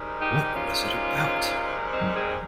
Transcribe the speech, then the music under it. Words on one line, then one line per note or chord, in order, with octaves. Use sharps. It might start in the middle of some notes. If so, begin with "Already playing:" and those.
What was it about?
Already playing: G#2 D#3 G3
D#4 G4
G4
C#4 F4
C4 D#4
G#3 C4